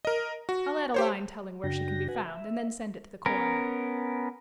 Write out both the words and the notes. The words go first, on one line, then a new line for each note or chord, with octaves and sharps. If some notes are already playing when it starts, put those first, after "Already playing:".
I'll add a line telling where she can be found and then send it to the coroner.
A#4 D#5
F#4
G4 C5 C#5
F#2 C#3 D4 F#4 G5 A#6
F#4 B4 F#5 G#5
E5
B3 C#4 A#4